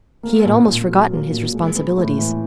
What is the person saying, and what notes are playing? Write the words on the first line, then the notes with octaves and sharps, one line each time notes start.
He had almost forgotten his responsibilities.
A#3
A#2
A#2
F#3
A#3
A#2
G#3
B3
A2
E3